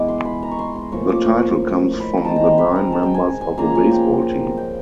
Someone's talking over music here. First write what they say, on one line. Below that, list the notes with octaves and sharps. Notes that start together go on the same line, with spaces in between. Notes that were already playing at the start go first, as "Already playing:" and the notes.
The title comes from the nine members of a baseball team.
Already playing: E3 G#3 B3 E4 D6
C6
B5
A#5
C#6
C6
C6
A2 F3 A#3 C#6
D6
C#6
C6
B5
A#5
D#3 G#3 C4 A5
A#5
C6
B5
A#5
A5
G5
G#5
G#5
C#3 F3 A#3 A#5
G#5
G5
G5